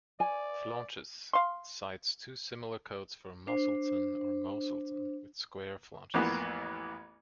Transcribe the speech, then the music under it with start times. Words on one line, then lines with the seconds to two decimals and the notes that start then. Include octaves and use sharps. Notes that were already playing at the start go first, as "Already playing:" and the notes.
Flaunches, cites two similar coats for Mosylton or Moselton with square flaunches.
0.20 D5 G#5
1.33 F5 C6
3.47 D4 C5
6.14 A1 F2 E3 A#3 B3